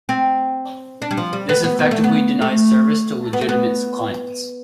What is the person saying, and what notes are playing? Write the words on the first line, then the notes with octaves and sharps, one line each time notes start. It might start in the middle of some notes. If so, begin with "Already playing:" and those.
This effectively denies service to legitimate clients.
C4
D4
G3
F3
G3
B3
B3
B3
A3
B3
A3
B3
A3
B3